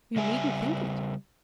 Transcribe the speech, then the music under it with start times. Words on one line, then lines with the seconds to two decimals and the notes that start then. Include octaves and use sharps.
You needn't think it.
0.16 C#3 G3 E5 G#5